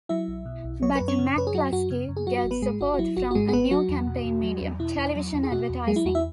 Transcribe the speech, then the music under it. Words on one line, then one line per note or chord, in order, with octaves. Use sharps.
But McCluskey gets support from a new campaign medium: television advertising.
F#3 E4 E5
B1
B2
B1
F#3 C#5
B4
F#2
C#4 C#5
C#3
F#2 B4
G#4
F#3 F#4
F#2 F#4
C#3
F#2
G#4
F#3 F#4
F#4
G#1
B3 B4
G#2 G#3 G#4
G#1 F#4
F#4
F#3 E4
G#1 F#4
F#4
G#2 G#3 G#4
G#4
G#1 B3 B4
F#3 F#4
E2
B2
E2
F#3
E2
B2 E4
E2
F#3
E2
G#4
B2 F#4
E2
F#3 G#3 G#4
E4
E2 F#4
E4 E5